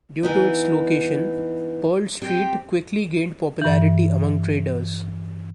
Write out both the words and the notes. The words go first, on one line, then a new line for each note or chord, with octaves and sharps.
Due to its location, Pearl Street quickly gained popularity among traders.
E3 B3 D#4
C4 G4
G2 E3